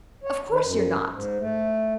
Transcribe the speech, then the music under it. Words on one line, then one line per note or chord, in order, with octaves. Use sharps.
Of course you're not.
C#5
D#3
F#2
G#2
A3